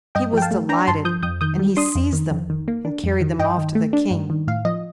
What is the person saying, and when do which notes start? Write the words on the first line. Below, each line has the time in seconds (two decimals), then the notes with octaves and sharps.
He was delighted, and he seized them and carried them off to the King.
0.15 G2 D#5 G5
0.33 F3 G5
0.42 F5 A5
0.51 A3
0.69 D4 G5 A#5
0.87 G2 A5 C6
1.05 F3 D#6 G6
1.23 F2 D#6 G6
1.41 D#3 D#6 G6
1.59 G3
1.77 D4 C6 D#6
1.95 F2
2.13 D#3
2.31 F2
2.50 D#3
2.68 A#3
2.85 D4
3.04 F2
3.21 D#3
3.39 G2 D#5 G5
3.58 D#3
3.75 A3
3.93 D4
4.11 G2
4.30 D#3
4.48 A2 F5
4.65 F3 D#5